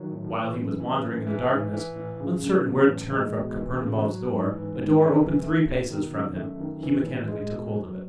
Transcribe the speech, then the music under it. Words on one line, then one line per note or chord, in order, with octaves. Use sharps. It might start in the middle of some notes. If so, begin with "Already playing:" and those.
While he was wandering in the darkness, uncertain where to turn for Kapernaumov's door, a door opened three paces from him; he mechanically took hold of it.
Already playing: D#3 F#3
A2
E3
F#2
E3
A2
E3
G#2
E3
A2
C#3
F#2
E3
A2
G#3
B2
E3
C#3
F#3
G#2
E3
G#2
E3
F#2
A3
B2
D#3
F#2
A3
D#3
E3
A2
G#3
B2
F#3